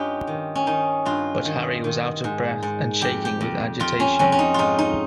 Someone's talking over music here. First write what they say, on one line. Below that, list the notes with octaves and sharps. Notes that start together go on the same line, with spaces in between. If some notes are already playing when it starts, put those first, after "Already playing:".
But Harry was out of breath and shaking with agitation.
Already playing: G2 C#4 D#4 F4 G4
D#3
C#4
D#3 D#4
G2 F4
D#3
D#3
G#2
G#2
F2 G4
G4
F2
F2 F4
C#4
F2 C#4
C#4
D#4
G#2 D#4 F4
D#4